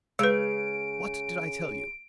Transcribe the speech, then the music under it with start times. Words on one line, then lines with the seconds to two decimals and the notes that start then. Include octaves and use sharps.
"What did I tell you?"
0.19 C#3 G#3 B4 D7